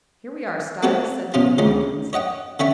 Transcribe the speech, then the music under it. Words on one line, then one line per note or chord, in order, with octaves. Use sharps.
"Here we are, Styles," said John Watkins.
A#3 C4 F#4 A4 C#5 F#5
B2 C#4 F4
D2 G#3 C#4
C#5 D#5 F#5 G5
D3 C#4 C#5 E5 G5 C#6